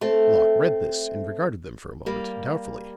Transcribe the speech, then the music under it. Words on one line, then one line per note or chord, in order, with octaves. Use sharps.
Locke read this and regarded them for a moment, doubtfully.
A3 C4
G3 A#3